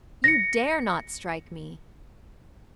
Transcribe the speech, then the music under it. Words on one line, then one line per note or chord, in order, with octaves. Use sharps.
You dare not strike me!
A#6 C#7